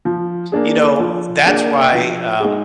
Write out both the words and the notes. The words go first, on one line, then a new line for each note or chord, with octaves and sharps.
you know, that's why, um,
F3
A#3 D4 G#4
F3
A#3 D4 G#4
F3
G#3 D#4 G#4